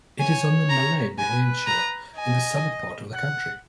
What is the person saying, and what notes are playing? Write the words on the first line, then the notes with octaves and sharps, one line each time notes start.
It is on the Malay peninsula in the southern part of the country.
C#5 G#5
A#5
B4 G#5
A#5
D#5 G#5
F#5